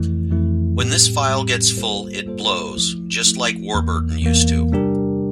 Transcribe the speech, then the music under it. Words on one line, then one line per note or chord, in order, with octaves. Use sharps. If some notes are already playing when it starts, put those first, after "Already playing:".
When this file gets full, it blows, just like Warburton used to.
Already playing: F2 E3 A3 E4
F2 E3 A3 E4
A2 G3 C4 G4
A2 G3 C4 G4
G3 A#3 F4 A4 C5
G3 A#3 F4 A4 C5
F3 A3 E4
F3 A3 E4
E2 E3 A#3
E2 E3 A#3
C3 G3 D4 G4 A#4